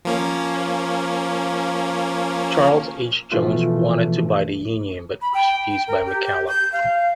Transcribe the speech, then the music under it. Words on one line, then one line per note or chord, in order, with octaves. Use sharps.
Charles H. Jones wanted to buy the "Union" but was refused by McCallum.
F3 A#3 C#4
B2 E3 F3 A3 F4
B5
G5
G5
A#4
G4
G4
G6
F5